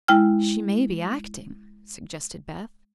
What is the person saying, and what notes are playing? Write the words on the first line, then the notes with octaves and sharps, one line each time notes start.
"She may be acting," suggested Beth.
G#3 E4 G5 F6